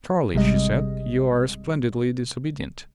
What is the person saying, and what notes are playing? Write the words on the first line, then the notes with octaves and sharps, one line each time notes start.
"Charley," she said, "you are splendidly disobedient."
G#1 C3 G3 G#3 D#5